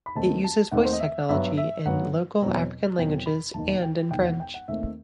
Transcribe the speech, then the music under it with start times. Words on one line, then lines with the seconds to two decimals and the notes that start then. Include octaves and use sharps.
It uses voice technology in local African languages and in French.
0.06 B5
0.15 D#2 D#3 A3 C4 A5
0.44 A5
0.71 D#2 D#3 A3 C4 F#5
0.85 C5
0.93 D#5
1.00 E5
1.29 G2 F#3 B3 E5
1.57 E5
1.85 G2 F#3 B3 F#5
2.42 E2 B2 F#3 C4
2.98 E2 B2 F#3 C4 G5
3.26 B5
3.54 E1 D#2 D#3 A5
3.82 G5
4.11 E1 D#2 D#3 G5
4.25 F#5
4.40 G5
4.54 F#5
4.68 D#2 D#3 A3 C4 E5